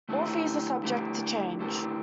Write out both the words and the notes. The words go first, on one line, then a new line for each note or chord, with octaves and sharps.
All fees are subject to change.
D3 A3 E4 G4
D3 A3 E4 G4
D3 A3 E4 G4